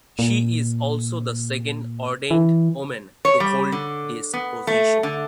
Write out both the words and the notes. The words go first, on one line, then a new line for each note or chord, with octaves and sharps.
She is also the second ordained woman to hold this position.
A#2
E3
C#5
G3
D3
B3
A3
D3